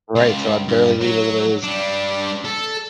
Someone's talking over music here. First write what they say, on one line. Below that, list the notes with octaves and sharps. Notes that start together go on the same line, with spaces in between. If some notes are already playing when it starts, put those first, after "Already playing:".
Right, so I barely leave as it is.
C#2 F4
G2
F#3
G3 D4
A4